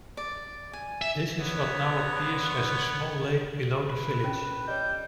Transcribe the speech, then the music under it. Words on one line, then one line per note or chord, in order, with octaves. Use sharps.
This is what now appears as a small lake below the village.
D5
G#5
E5
D3 B3 C#5
B4
C#4
G3 C#5 D#5 G6